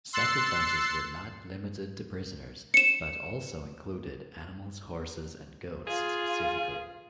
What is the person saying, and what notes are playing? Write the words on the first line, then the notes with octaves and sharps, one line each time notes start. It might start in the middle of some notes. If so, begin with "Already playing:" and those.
Sacrifices were not limited to prisoners but also included animals, horses and goats specifically.
C6 E6 F#6 A6 C7 C#7
C#7 E7
F4 G#4